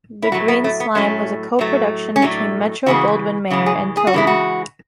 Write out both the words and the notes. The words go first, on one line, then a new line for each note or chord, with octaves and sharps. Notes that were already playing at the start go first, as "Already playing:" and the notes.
"The Green Slime" was a co-production between Metro-Goldwyn-Mayer and Toei.
E4
A2 F#3 A3 F#4
B3
A3
B3
A2 F#3 A3 C#4
A2 F#3 A3
C#4
A2 F#3 A3 D4
C#3 E3 G#3 F#4
C#3 E3 G#3
G#4
G#4
F#4
C#3 E3 G#3 E4
F#4